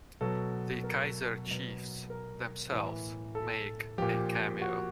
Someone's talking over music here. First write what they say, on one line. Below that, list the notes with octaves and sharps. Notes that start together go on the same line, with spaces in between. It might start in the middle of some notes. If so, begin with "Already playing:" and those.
The Kaiser Chiefs themselves make a cameo.
B2 F#3 A4
A#4
B2 F#3
A#4
A2 E3
A4
A#2 F3 G4
F#4